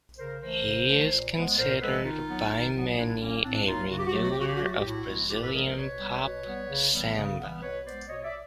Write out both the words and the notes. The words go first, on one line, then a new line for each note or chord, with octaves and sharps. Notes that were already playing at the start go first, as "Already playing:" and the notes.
He is considered by many a renewer of Brazilian pop samba.
C#3 A#4 C5
E3 A3 A#4 C5
C#3
E3 A3
A#2
F3 G#3 B3
A#2 A#4 C5
F3 G#3 B3 A4 B4
D#3 D#4 F4
F#3 B3
D#3
F#3 B3
A2 D4 E4
F#3 A#3 C#4
A2 C4 D4
F#3 A#3 D#4 F4
C#3 F#4
G4
F#4
F#3 A3 G4
F#4
G4
C#3 F#4
G4
F#4
F#3 A3 G4
F#4
G4
A2 E4 F#4
F3 G#3 B3
A2 F4 G4
A4 B4
F3 G#3 B3 G#4 A#4
A#4 C5
B2 B4 C#5
G3 B3
B2
G3 B3
C#3
E3 G3 B3
C#3
E3 G3 B3
B2 B4 C#5
G#3 B3 C5 D5
B2 C#5 D#5
D5 E5